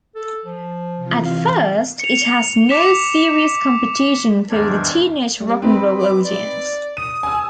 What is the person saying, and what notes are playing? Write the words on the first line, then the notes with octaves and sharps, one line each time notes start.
At first it had no serious competition for the teenage rock 'n' roll audience.
A4
F3
C3 E3 F4
F5
C#7 F7
D6 B6 E7
E2 G#2 D#3 G3 D4 G#6
G3
C4 D#4 B4
D6
D5
D#6 D#7
G#5 E6